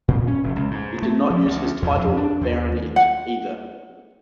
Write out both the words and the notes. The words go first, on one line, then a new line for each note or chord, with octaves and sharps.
He did not use his title of baronet either.
A#2
C#4
F1
C#2
G#2
A3
F3
D2
E2
F2
D4
D#2
F#5